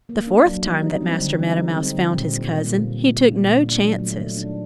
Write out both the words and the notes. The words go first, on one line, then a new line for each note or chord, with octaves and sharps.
The fourth time that Master Meadow Mouse found his cousin he took no chances.
A#3
D4
F#3
D#4
G3
C4
D3
D#4
G3
C4
D3
A#2
G3
A#3
A#2
A#2
G3
A#3
A#2
D4
F#3
A3
D#3
D4